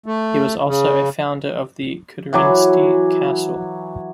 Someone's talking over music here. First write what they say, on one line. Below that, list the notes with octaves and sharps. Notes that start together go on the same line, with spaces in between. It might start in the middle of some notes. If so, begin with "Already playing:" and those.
He was also a founder of the Kudryntsi Castle.
A3
C#3
E3 F#3 G#5 D6